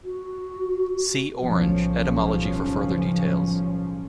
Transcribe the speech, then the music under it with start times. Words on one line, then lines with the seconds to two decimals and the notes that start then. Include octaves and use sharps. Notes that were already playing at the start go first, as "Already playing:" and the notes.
See Orange: etymology for further details.
0.04 F#4
1.39 B1 A2 C#3 F3 G3 C#4